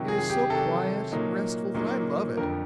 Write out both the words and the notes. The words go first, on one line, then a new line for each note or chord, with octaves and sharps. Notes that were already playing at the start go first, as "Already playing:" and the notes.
It is so quiet and restful that I love it.
Already playing: C3 D#3 F#3
G#4
G#4
G4
C3 D#3 F#3 A4
A#2 F#3 A#3 D#4
A#2 F#3 A#3 D#4
F2 D3 F3 A#4